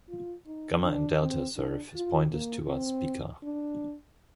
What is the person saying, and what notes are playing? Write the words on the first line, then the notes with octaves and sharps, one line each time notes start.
Gamma and Delta serve as pointers toward Spica.
F4
D#4
D4
C4
D4
F4
A#3
C4
D4